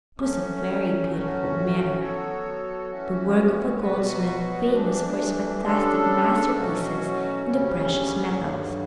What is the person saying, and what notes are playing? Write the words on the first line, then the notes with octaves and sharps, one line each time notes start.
It was a very beautiful mirror, the work of a goldsmith famous for his fantastic masterpieces in the precious metals.
F#3 A3 C#4
A2 F#3 A3 C#4 F#4
F#3 B3 F#4 A4 C#5
E3 A3 C#4 F#4
B2 F#3 B3 F#4 B4
E3 A3 D4
C#3 G3 D4 A4
B2 F#3 A3 C#4 F#4
D2 C#3 G3 C#4
G2 D3 F#3